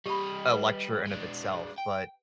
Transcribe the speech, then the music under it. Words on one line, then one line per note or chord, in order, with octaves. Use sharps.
a lecture in of itself, but
G3 G4 D#5 B5
B4
G#3 D4
G5